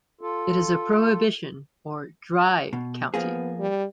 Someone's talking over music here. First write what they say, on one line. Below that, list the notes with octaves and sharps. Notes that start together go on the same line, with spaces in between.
It is a prohibition, or "dry", county.
F4 A4
B2
F3 A#3 B3 G#4
G3